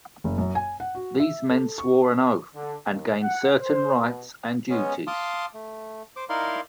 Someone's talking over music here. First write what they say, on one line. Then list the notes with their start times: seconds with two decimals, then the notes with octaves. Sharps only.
These men swore an oath and gained certain rights and duties.
0.24 F#1
0.38 F#2
0.55 G#5
0.80 F#5
0.95 F#4
1.19 E5
1.50 A4
1.78 C#6
2.55 D3
2.88 D#2
3.21 F#5
3.60 C5
3.97 B2
4.70 G#3 B3 C#4
5.07 F5 A5 C6 D6 D#6
5.54 A3
6.16 C5 D6
6.29 D#4 E4 A#4 D5 F5 C6